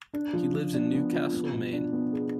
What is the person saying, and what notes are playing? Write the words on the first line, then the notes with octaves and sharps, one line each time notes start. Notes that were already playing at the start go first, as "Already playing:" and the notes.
He lives in Newcastle, Maine.
D4
F3
F3
D4
B3
F3
B3
B2
D4
B3
G#4